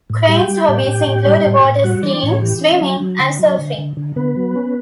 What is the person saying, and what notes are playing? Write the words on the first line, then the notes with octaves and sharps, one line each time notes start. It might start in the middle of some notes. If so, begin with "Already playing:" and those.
Crane's hobbies include water skiing, swimming and surfing.
A2
G3 G4 G5
G3
A2
A2
A2
G3
A2
A2
G3 F#4 F#5
E3 D4 D5
A2 C#4 C#5
E3 G4
C#4
F#3
F#3
D3
F#3
D3
D3
D3
D3 B3 B4
F#3
C#4